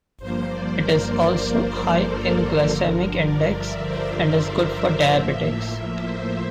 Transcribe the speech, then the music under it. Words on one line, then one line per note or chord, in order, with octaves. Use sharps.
It is also high in glycemic index and is good for diabetics.
G2 F3 A#3 C5
D5
A#4
A4
A#4
G2 D3 F3
D5
E5
C5
E5
A2 F3 A#3
E5
C5